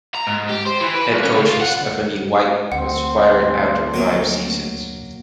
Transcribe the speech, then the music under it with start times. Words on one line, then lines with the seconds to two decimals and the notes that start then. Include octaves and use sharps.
Head coach Stephanie White was fired after five seasons.
0.15 A#5
0.27 G#2
0.49 G4
0.66 C5
0.81 E3
0.95 B4
1.12 C2
1.24 C#4
1.36 C#3
1.48 F4
1.61 F#5
2.72 D2 C4 F#5
3.94 F#3 A#3